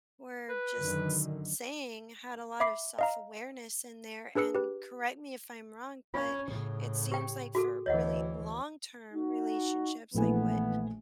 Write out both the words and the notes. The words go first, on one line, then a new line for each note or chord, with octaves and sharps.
were just s saying had a lot of self-awareness in there, and correct me if I'm wrong, but it seems like for really long-term relationships, like what
B4
F#2 D3 D#3
E5 B5 D6 C7
D#5 F5 A#5
D4 G#4 B4 E6 C#7
G4 B4
C#4 F4
A2 C#3
G4 G5
F#4 G#4 A4
D2 E3 C#5 D#5 F#5
D#4 F#4
A#1 E3 A3 B3 G#5